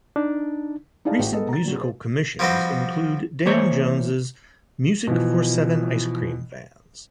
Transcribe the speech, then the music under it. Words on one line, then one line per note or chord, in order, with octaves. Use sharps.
Recent musical commissions include Dan Jones's "Music For Seven Ice Cream Vans".
D4 D#4
D#4 E4 G#4 D5 F5 A5
A1 F#4 G5
G#3 B3 A4 A#4 D#5
A#5 A6
A#2 F#3
G#4 C5
F3 G3 C4 F#4 B4 D#5
E3 A#3 C5 C#5
B2 E3 F3